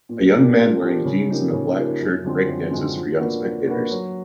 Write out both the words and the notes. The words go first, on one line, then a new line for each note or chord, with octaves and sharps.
A young man wearing jeans and a black shirt breakdances for young spectators.
A#2
F3 A#3 D4 G4
A#2
F3 A#3 D4 G4
C#3
F3 A#3 D#4 G4
C#3
F3 A#3 D#4 G4
F#2
D3 F3 G#3 C4
F#2
D3 F3 G#3 C4
F3
A#3 D4 F#4 B4
F3
A#3 D4 F#4 B4
F#3